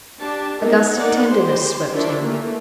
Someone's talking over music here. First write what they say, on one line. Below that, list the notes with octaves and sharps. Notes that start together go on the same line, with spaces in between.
A gust of tenderness swept him.
D4 G4 A5
A#3 B3 D#4 A4 A#4
A#3 D#4 D5 F#5
G4 G#4 C5
D#3 F3 D4 E4 G4
E3 A3 A#3